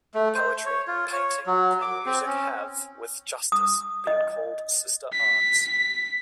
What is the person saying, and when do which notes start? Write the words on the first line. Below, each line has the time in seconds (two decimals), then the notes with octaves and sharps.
Poetry, painting, and music have, with justice, been called sister arts.
0.14 A3
0.35 C5
0.66 C#5
0.88 F4
1.13 C#5
1.47 F#3
1.82 D6
2.06 C4
2.26 C#4
3.52 D#6
4.07 D#5
5.13 B6